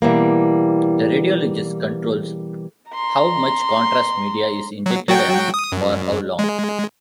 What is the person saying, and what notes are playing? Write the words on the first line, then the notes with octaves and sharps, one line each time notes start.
The radiologist controls how much contrast media is injected and for how long.
B2 E3 G3 A#3
A#5 C6
F#3
F#3 F#4 G5
D#6
F#2
G#3